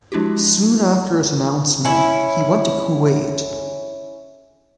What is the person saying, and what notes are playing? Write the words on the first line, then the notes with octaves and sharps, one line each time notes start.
Soon after his announcement he went to Kuwait.
F3 G#3 D4 E4 F#4 G4
C#4 E4